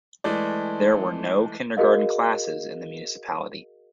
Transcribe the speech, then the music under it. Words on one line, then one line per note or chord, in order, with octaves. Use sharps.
There were no kindergarten classes in the municipality.
E3 G#3 A3 D5
F#4 G#4 A#4 D#5 F5